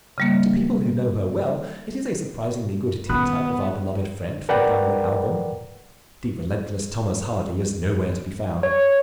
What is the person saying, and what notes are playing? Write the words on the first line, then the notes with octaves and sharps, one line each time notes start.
To people who know her well it is a surprisingly good tintype of our beloved friend, for the family album. The relentless Thomas Hardy is nowhere to be found.
C#3 G3 A#3
D#3 B3 C#4 B5 D#6 F#6
A#4 B4 D5 F#5 G5
C#5